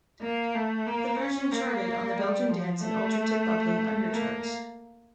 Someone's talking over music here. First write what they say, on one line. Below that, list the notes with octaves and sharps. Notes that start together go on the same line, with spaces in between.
The version charted on the Belgian Dance and Ultratip Bubbling Under charts.
A#3
A3
A#3
C#4
A#3
G3
F3
A3
A#3